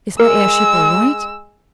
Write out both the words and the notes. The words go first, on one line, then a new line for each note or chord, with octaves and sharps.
"Is my airship all right?"
G#3 A#4 E6